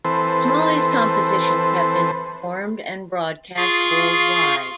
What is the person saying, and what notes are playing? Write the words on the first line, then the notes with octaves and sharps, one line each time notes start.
Smalley's compositions have been performed and broadcast worldwide.
E3 C4 A4 B4 C5
F4 G#4 F5 C#6